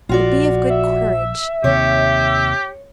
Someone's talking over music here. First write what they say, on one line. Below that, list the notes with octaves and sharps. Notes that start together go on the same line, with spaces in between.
But be of good courage.
A#1 F4 F#4 D5
E5
D#2 C3 G4 C#5